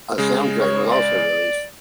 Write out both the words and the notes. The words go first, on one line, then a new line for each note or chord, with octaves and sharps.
A soundtrack was also released.
C#3 G#3
C#5
D5